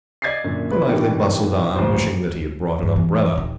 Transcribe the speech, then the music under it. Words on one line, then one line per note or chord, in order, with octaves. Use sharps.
Golightly bustled on, wishing that he had brought an umbrella.
D5 D#5 G#6 A6 B6 C7
F#2 A#2 D3
B4
B2 D#3 E3 G3 D4
D1 A1 A#2 F3 C5
G2
E3
D#1 D#3